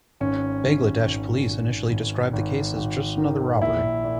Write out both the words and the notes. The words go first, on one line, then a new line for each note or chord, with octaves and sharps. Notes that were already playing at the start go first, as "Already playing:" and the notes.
Bangladesh police initially described the case as "just another robbery".
G#1 C#4
G#1
G#1
G#1
G#1
G#1
G#1
D#3
A#1 E4
A#2